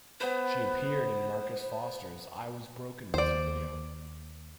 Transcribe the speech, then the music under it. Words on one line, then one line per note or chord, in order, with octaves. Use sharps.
She appeared in Marcus Foster' I was Broken Music Video.
B3 B4 C5
D#2 C5 D5